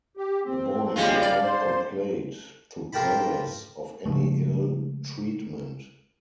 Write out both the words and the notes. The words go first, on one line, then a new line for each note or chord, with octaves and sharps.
The boy made no complaint to Barras of any ill treatment.
G4
C4
D2 G3 G#3 A#3 C#4 F4
C#3 D5 F6
C5 C6
F4 G4 A#4 G5 A5 B5
C#3 F3 G#3 A3